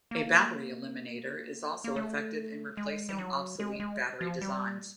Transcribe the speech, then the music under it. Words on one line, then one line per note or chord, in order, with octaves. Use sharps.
A battery eliminator is also effective in replacing obsolete battery designs.
A#3
A#3
A3
G#3
G3
F#3
G#3
G#3
F3
G3